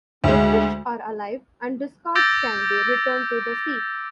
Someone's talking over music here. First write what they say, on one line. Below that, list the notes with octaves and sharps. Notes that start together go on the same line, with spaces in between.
The fish are alive and discards can be returned to the sea.
D2 G#3
D6 E6 G6 A6 A#6 D7